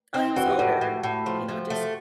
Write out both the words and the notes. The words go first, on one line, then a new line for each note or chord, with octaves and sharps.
oh, he was older, you know; just
C4
E3 F#4
G4
A2 F#4
A2
A2
F3
F3
A3